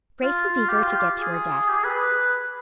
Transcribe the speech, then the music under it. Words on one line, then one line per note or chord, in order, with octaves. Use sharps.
Grace was eager to get to her desk.
F4
F4
G4
F4
G#4
G4
G#4
B4